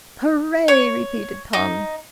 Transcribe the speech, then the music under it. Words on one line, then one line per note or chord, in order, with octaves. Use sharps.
"Hooray!" repeated Tom.
C#5
D#4